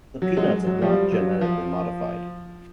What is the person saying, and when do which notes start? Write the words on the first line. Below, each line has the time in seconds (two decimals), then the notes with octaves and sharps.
The peanuts are not genetically modified.
0.22 F#3
0.37 F#3 G#3
0.67 F#3
0.82 F3 G3
1.12 F#3
1.41 F3